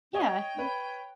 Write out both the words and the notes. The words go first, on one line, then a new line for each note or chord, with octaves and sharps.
Yeah, y
C#5 D#5 G5
B4 C#5